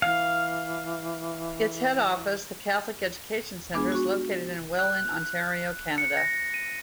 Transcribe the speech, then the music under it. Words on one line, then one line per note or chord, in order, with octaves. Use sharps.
Its head office, the Catholic Education Centre, is located in Welland, Ontario, Canada.
E3 F5
G#3 B3 D4 F4 G#4
F#4 C#6
F#6
C#7
A#6
D#7